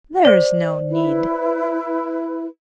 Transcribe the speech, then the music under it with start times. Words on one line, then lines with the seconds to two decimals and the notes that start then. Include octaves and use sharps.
There's no need.
0.25 C5 D5
0.90 E4 B4